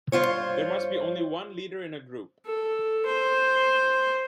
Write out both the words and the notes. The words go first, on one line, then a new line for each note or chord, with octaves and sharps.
There must be only one leader in a group.
G2 F4 C5 C#5
A4
C5